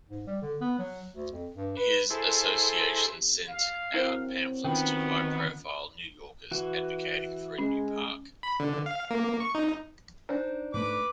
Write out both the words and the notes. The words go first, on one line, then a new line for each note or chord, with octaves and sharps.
His association sent out pamphlets to high-profile New Yorkers, advocating for a new park.
G#2
G3
D3
B3
F#3
D2
F2
G2
B4
E4 G#4 A4 C5
F5
F#3 C4 E4 A#4 C5
D#3 B3 C#4 F4
E3 F#4
G#3 C#4
B5
D3
F5
A#3
C#6
D#4
D4 D#4 C5
G#2 A3 B4 D6